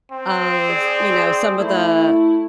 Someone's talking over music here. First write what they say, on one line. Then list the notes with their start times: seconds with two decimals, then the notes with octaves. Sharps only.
of, you know, some of the
0.11 C4
0.69 G#4 D5
1.60 A3 E4